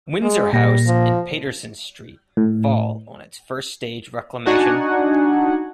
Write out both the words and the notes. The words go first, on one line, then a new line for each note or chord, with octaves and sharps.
Windsor House and Paterson Street fall on its first stage reclamation.
G#3
A#2 G3 A#3 A#6
F3
A2
D4 D#4 F#4 F#5 G#5